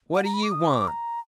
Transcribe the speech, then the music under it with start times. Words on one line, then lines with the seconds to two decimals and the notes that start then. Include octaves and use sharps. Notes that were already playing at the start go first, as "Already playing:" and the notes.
"What do you want?"
0.15 F#5
0.25 A#5
0.34 B5
0.43 D6
0.51 D#6
0.70 D6
0.88 A#5